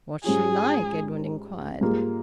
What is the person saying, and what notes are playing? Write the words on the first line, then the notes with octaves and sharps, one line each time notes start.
"What's she like?" Edwin inquired.
G#2 G3 C#4 F4 G#4
G#2 G3 A#3 F4 G#4